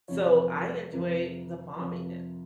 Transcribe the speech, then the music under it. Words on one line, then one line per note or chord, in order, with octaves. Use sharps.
So I enjoy the balminess
F2 C3 F3 C#5
F2 C3 F3 A#4
F2 C3 F3